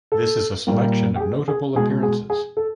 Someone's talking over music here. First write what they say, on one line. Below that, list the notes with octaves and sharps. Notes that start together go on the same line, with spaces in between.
This is a selection of notable appearances.
A4
A#2 G3 A#3
G4
G#4
G#4
B2 G#3 G#4
G#4
G#4
A4